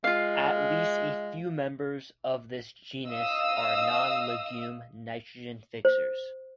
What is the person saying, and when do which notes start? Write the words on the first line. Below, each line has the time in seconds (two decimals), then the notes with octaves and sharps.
At least a few members of this genus are non-legume nitrogen fixers.
0.04 G#3 F4 F5
3.07 D#5 F5 D#6 E6
5.85 C5